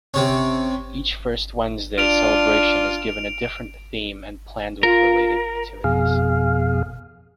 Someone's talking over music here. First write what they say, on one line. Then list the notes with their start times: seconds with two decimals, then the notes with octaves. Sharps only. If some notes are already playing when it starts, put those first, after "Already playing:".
Each First Wednesday celebration is given a different theme and planned with related activities.
0.14 C3 C#4
1.98 D4 F4 D7 F7
4.83 F4 A#4
5.84 F2 B2 G#4 F5